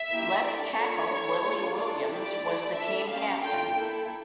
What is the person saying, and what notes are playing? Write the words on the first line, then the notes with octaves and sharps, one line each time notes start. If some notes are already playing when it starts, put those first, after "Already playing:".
Left tackle Willie Williams was the team captain.
Already playing: E5
A#3 E4 G4
D4 A4 D5
A#3 D4 F4 A4 C#5
A3 E4 A4
A#3 D4 F4 A4
D4 F4 A4 D5
A3 E4 G4 D5
A3 E4 A4
D4 A4 E5
A#3 C#4 G4 F5
D4 F4 A4 G5
A#3 E4 A4